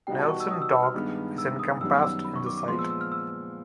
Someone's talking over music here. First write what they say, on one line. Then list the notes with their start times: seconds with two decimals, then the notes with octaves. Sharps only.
Nelson Dock is encompassed in the site.
0.07 B2 G3 B3 D#4 F#4 G5
0.19 A5
0.29 C#6
0.40 E6
0.51 D#6
0.62 E6
0.73 E6
0.83 F6
0.94 G2 D#3 G#3 B3
1.38 E6
1.59 D#6
1.81 F#2 D#3 G3 B3 E6
2.03 E6
2.25 B5
2.36 C#6
2.46 D6
2.58 D6
2.68 A#2 F3 G#3 B3 C6
2.79 E6
2.90 E6
3.01 F6
3.12 E6